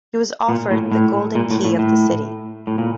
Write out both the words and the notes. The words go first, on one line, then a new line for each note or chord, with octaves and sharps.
He was offered the golden key of the city.
A#2
A2
A2
A#2
A2
A2
A2
A2
A#2